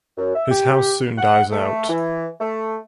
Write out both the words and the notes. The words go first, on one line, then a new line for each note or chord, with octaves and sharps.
His house soon dies out.
F#2
E5
G4
F#5
A3
E3
A3